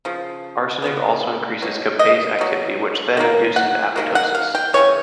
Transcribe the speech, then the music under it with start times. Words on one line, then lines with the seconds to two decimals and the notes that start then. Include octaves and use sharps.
Arsenic also increases caspase activity which then induces apoptosis.
0.05 C#3 F3
0.82 C#3 F3 G#3 B3
1.62 B2 F#3
1.99 D#5
2.39 B2 F#3
3.17 D#3 F#3 A#3
3.56 F#5
3.96 D#3 F#3 A#3
4.15 F#5
4.35 F5
4.55 G5
4.73 C#3 E3 G#3 C#5